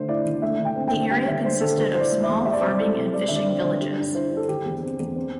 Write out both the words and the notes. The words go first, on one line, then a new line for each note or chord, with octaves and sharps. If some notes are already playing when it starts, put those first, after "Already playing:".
The area consisted of small farming and fishing villages.
Already playing: D3 A3 C5
E4 D5
D3
A3 E5
D3
G5
C4
G5
D3
G3 G5
D3 E5
D4 C5
D3 A4
D3 C5
E4 C5 D5
A3
E5
E2
G3 E5
D5
C3 C5
D5
E4 A4
C3
G3 D5
D3 E5
D5
C4
D5
D3
G3
G2
E4 C5
G2
A4
D3 G4
E2
C4
E2
C4